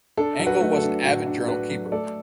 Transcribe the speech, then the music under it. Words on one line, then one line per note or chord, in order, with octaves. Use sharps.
Engel was an avid journal keeper.
D4 A4
F#3
F#4 B4
A3
A4
D4
A2 F#4
D4
D4 F#4 B4
F#3
A3 A4 D5